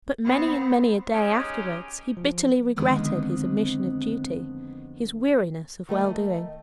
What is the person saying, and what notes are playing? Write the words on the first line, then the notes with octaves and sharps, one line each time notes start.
But many and many a day afterwards he bitterly regretted his omission of duty; his weariness of well-doing.
B3 C4
G#3 C#4 D#4 G4 G#4
F3
F2 D3 D#3 G#3 B3 C4
D#3 A3 D#5